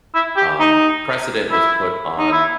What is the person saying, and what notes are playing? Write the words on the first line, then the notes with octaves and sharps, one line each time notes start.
um, precedent was put on,
E4
G4
D#4
E4
D#4
E4